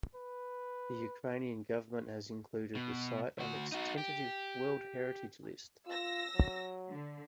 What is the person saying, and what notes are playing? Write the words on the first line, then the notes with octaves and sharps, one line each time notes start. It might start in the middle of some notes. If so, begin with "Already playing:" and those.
The Ukrainian government has included the site on its tentative World Heritage List.
B4
B2
D2 F#4
D#4 F#4
G4
F4 E6 A#6
F#3
D3